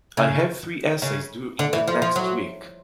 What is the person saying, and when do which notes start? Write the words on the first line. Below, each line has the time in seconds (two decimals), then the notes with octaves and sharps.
I have three essays due in the next week.
0.17 C#3
1.02 C#3
1.59 D3
1.73 E3
1.88 F3
2.02 F3
2.16 F#3